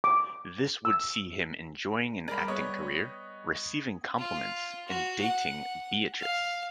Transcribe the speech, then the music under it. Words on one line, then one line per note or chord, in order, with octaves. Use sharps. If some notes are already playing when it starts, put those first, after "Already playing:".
This would see him enjoying an acting career, receiving compliments, and dating Beatrice.
D6
E6
G3 G#4 A#4 D5 B5
B3 C#5 D#5
F4
F#4
F#5
F5